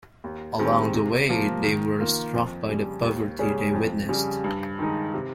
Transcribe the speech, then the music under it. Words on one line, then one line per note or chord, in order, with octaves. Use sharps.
Along the way they were struck by the poverty they witnessed.
D#2
D#3 G#3 C4 G4
C3
F3 A#3
D#3
A#3 F4 A#4
F2
C#3 G3
D#2
C#3 G3 C#4 G#4
F2
C#3 G3
G2
D#3 G#3 D#4
C3